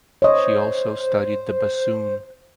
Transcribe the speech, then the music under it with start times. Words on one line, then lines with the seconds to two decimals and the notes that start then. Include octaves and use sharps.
She also studied the bassoon.
0.22 C5 C#5 D#5